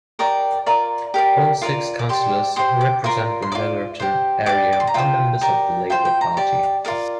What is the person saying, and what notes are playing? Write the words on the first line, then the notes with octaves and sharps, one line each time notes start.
All six councillors who represent the Netherton area are members of the Labour Party.
G4 A#4 D5 D6
F4 A#4 D5
G4 A#4 D5
F4 A#4 D5
D6
G4 D5 C6
G4 C5 C6
D6
F4 A#4 D5 C6
C6
F4 D5 D6
G4 C5
G4 D5 D6
D6
C6
A#5
F4 C5 G5
G4 A#4 D5
F4 C5 G5
G5
A#5
G4 D5
F4 A#4 D5